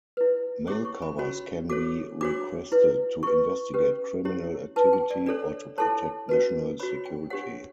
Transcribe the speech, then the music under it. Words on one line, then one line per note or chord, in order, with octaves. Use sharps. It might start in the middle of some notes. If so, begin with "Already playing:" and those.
Mail covers can be requested to investigate criminal activity or to protect national security.
E4 B4
E4 G4 C#5 D6
C#6
B5
C#4 F#4 C#5 B5
F#4 A4 C#5 D6
D4 F#4 C#5 D6
E4 B4
E4 B4 C#6
C#4 G4 B4
C#4 E4 G4 C#5
E4 B4 A5
G5
D5
D4 A4 C#5 D5
E4 A4 C#5 A5
C#4 F#4 B4
F#4 C#5 B5
G5
D4 G4 C#5 F#5